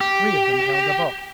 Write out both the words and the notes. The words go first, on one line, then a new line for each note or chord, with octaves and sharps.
Three of them held a box.
G4